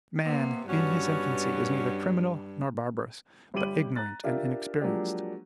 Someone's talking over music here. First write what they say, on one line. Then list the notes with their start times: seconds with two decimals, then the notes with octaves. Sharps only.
Man, in his infancy, is neither criminal nor barbarous, but ignorant and inexperienced.
0.25 C3 A#3 B3
0.68 G2 B3 C#4 F#4
3.54 G1 G3 G4 D6 D#7 F#7
3.96 A#5 F#6 A6
4.24 D4 F4 G4 A#4 E5
4.81 F3 F#3 G#3 A#3 D4 G4